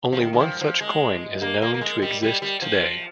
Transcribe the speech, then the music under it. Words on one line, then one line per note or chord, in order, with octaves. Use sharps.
Only one such coin is known to exist today.
F3
D#3
D#3
F3
F3
G#3
A#3
A#3
A#3
G#3
G3
G3
G3
F3